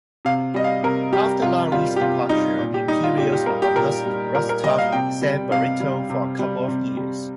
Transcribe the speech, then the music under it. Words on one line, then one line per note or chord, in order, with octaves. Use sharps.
After Lowry's departure, Imperials alumnus Russ Taff sang baritone for a couple of years.
C3 F5
G3 D#5
F5
C3 A#4
G3 G4
C3 F4
G3 F4
G4
C3 F4
G3 D#4
A#2
G4
G3 D#4
F4
A#2 G4
G4
G3 A#4
G4
A#2 A#4
G3
A#2 A#4
A#4
G3 D#5
F5
C3 G5
G3
C3 F5
G3
C3
G3
C3
G3